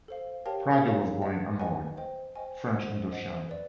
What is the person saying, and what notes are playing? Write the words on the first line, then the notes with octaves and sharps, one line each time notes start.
Pradier was born in Hanoi, French Indochina.
A4 C5 F5
G4 A#4 C#5 F5 G5 A5
G4 A#4 C#5 F5
B4 D#5 F#5
B4 D#5 F#5 G#5
C5 D#5 G5
C5 D#5 G5 G#5
C5 D#5 F#5
C5 D#5 F#5
B4 D5